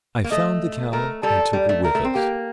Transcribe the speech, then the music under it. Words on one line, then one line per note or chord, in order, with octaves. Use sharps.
I found the cow, and took her with us.
A#3
A3 D#5
A3 A#4
G3 A4
G3
A3
A3 A#4
A3
C4
A#3 G4